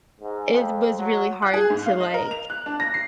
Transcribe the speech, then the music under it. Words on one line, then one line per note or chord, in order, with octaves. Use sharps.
it was really hard to, like,
G#2
F2
F#3
F#6
G#4
G#2
F5
D#5
A#4
F7
F#6
D4
A#6
C7